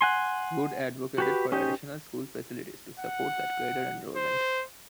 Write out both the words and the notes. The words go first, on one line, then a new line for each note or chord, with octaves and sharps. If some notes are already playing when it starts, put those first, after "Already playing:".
Wood advocated for additional school facilities to support that greater enrollment.
F#5 G#5 C6
F#4 G4 B4
C#4 D#4 G4 C5
F#5
C5